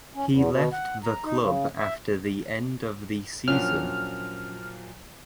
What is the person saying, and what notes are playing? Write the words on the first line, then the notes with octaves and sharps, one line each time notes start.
He left the club after the end of the season.
C#4
E2
B2
F#5
A#5
D#4
C#3
E5
A#2 F3 F#3 C#4 D4 F#4 F6